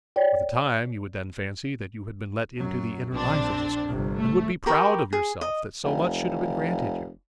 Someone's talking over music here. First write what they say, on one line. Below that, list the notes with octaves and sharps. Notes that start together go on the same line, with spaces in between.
For the time you would then fancy that you had been let into the inner life of this girl, and would be proud of yourself that so much should have been granted you.
C#5 D5 G5
F#2 F#3
A#1 C4 D4
G1 C3
A3
G4 A#4 B5 C#6
G#4
D#5
F1